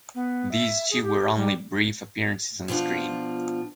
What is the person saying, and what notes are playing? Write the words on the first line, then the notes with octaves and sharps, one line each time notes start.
These two were only brief appearances on screen.
B3
E5
G#4
G4
G3
B2 F3 D4 F4